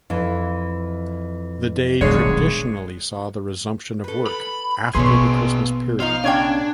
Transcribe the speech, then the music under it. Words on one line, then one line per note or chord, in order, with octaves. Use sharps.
The day traditionally saw the resumption of work after the Christmas period.
F2 E3
D#1 B1 G#3 D4 C#5
A4 B4
B5
A#1 B2 A#3 G#4 B4 C#5 C6
F3 D#4 F4 F5
C#3 C#4 D4 D5 G5 G#6